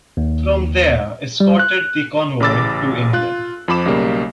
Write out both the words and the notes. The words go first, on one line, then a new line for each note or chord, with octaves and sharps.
From there escorted the convoy to England.
D#2
G3
F#6
A1 C#3 B5 D6 E6 A6
F4 F#6
F2 F3 B5 D6 E7
B1 C#3 G3 A#3